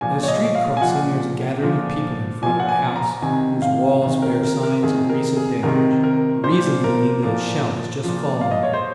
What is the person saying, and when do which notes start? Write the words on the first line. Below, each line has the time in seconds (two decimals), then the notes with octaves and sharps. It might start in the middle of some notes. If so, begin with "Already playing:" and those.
At a street-crossing there is a gathering of people in front of a house whose walls bear signs of recent damage, the reason being that a shell has just fallen there.
0.01 A#2 F3 G#5
0.23 C#5
0.28 D#5
0.55 F5
0.77 G#5
0.81 A#2 F3 F#5
1.62 A#2 F3
2.42 A#2 F3 G#5
2.60 F#5
2.69 G#5
2.96 A#5
3.22 C3 D#3 G#5
3.62 F5
4.02 C3 D#3
4.22 A#4
4.43 A#4
4.63 A#4
4.83 C3 D#3 G#4
5.09 A#4
5.37 G#4
5.63 C3 D#3 A#4
6.03 A#4
6.43 A#2 F3 C5
6.84 A#4
7.23 A#2 F3
8.04 A#2 F3
8.41 F5
8.51 D#5
8.63 C#5
8.73 C5